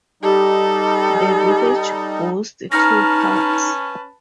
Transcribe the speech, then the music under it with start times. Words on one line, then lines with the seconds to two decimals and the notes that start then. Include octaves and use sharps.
The village boasts two pubs.
0.23 G3 D#4 G4 A4
2.72 C#4 D#4 B4 A5 A#5 F6 A#6